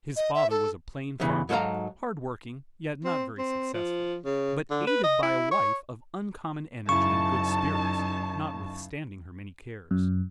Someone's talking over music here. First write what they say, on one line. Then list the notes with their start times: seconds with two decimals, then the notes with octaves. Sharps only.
His father was a plain farmer, hard-working, yet not very successful, but aided by a wife of uncommon energy and good spirits, notwithstanding her many cares.
0.16 D#5
0.35 E5
0.50 A4
1.20 E2 G2 C#3 E3
1.49 G#2 F#3 A4 C5 F5 A#5
3.04 C4
3.38 C4
3.74 F3
4.25 C#3
4.70 D3
4.87 B4
5.03 D#5
5.23 E4
5.51 C#5
6.89 F#2 C#3 D#4 E4 A5 C#6
9.91 F#2